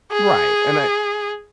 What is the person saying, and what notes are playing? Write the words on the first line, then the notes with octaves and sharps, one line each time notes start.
Right, and I
G#4